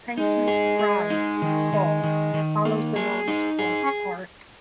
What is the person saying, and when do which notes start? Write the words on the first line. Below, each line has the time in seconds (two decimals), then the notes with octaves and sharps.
Pecksniff's rise and fall follows the novel's plot arc.
0.18 G#3 D#4
0.48 G#4
0.79 G#4
1.10 D#4
1.42 D#3
1.73 D#3
2.04 D#3
2.34 D#3
2.65 A#3
2.96 G#4
3.28 D#4
3.59 G#4
3.83 C#4